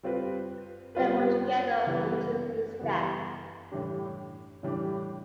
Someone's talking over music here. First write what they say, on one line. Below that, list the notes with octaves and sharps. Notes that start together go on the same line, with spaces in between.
They were together until his death.
G3 C4 F4 B4
G3 C4 F4 B4
E3 G3 B3
E3 G3 B3
A2 E3 G3 D4 G4
A2 E3 G3 D4 G4